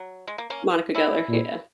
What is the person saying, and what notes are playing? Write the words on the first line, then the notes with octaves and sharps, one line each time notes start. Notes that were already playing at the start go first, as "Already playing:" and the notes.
Monica Geller, yeah.
Already playing: F#3
G#3
A#3
A#3 C#4
C#4 E4
A#2